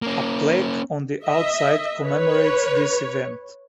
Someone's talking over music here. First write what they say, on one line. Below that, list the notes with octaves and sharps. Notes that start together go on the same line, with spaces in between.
A plaque on the outside commemorates this event.
A#3 C#4
D#5 E5
B4 C#5